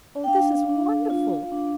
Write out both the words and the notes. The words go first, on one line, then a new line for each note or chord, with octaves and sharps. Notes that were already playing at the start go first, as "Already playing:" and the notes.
Oh, this is wonderful!
G5
D4 F5
D4
F4
D4